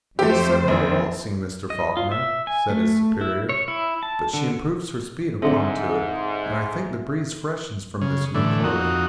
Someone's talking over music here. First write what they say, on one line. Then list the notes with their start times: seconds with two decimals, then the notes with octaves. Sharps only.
"It has set her to waltzing, Mr. Faulkner," said his superior; "but she improves her speed upon to it, and I think the breeze freshens from this new quarter."
0.19 F2 A3 G4 C5
0.68 A#1
1.70 D#5
1.97 F4
2.12 E5
2.47 G#5
2.70 A3
3.21 E4
3.49 C#5
3.68 E4
4.03 A5
4.34 D3
5.42 G#2 D3 C4 G#4 A4 E5
8.01 C#3
8.35 A2 D3 E3
8.64 F2 D#4 F#4